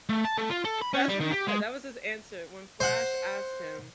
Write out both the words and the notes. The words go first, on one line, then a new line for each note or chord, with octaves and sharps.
that's what he said, that was his answer when Flash asked him
A3
A5
A3
F4
A4
B5
C#4
G3
D#3
G4
G#3
C5 F#5